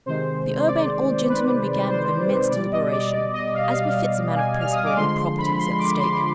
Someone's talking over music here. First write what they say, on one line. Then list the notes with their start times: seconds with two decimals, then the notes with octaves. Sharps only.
The Urbane Old Gentleman began with immense deliberation, as befits a man of principle when Property is at stake.
0.06 C3 D#3 G#3 C5
0.67 D5
1.28 B4
1.89 C5
2.51 B2 G3 D5
2.72 D#5
2.92 D5
3.13 D5
3.34 D#5
3.54 F5
3.62 D#5
3.70 F5
4.36 G#5
4.59 F6
4.72 D#6
4.85 D6
4.96 D3 F3 G#3 C6
5.17 C6
5.38 B5
5.59 C6
5.79 D6
5.99 C6